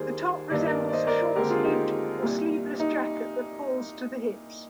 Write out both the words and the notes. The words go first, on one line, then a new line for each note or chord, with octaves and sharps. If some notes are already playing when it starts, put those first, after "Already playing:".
The top resembles a short-sleeved or sleeveless jacket that falls to the hips.
Already playing: D#2 D#3 G3 A#3 G#4 C5
G2 D#3 G3 A#3 D5
D#5
A#4 D5
D5
C5 D#5
A#4 D5
D#2 D3 G#3 C4 G4 A#4
F4 G#4
D#4 G4
C2 A#2 G3
D#4